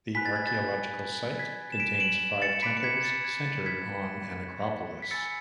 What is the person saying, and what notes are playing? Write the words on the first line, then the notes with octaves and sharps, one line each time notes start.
The archaeological site contains five temples centered on an acropolis.
G#5 B5 F#6 B6
A6
G#6
A6
G#6 B6
E7
B6 D7
E7
D7 F#7
A6 C#7
B5 D6 F#6 B6 D7
C#7
G#6 B6
A6
G#6
A6
G#6 B6
B6
G#5 B5 E6 A6 C#7